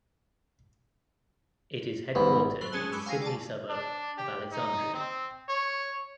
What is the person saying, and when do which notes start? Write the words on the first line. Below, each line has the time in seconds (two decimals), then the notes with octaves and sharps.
It is headquartered in the Sydney suburb of Alexandria.
2.15 G#1 G3 B3 C5
2.61 F#3 A3 C5 B5 F#7
2.72 G#3 C#4 G#4 A5 F#6
2.92 B5 C#6 D6 E6
3.06 F5 G5 G#5 A#6 C7 D#7
3.22 D5 A5
3.69 D4
4.17 G4
4.52 D#4
4.94 C4
5.49 C#5